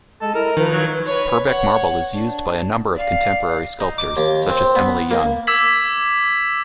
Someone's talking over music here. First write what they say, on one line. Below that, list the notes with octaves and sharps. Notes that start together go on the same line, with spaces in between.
Purbeck Marble is used by a number of contemporary sculptors, such as Emily Young.
G#3 A4 D#5
E4 A#4
D#3 F3 B4
F#3
B4 C#5
C#5 F#5
D4
D5 F5
D#4
D6
D#2
C4
B3
A#3
D6 E6 G#6 B6 F#7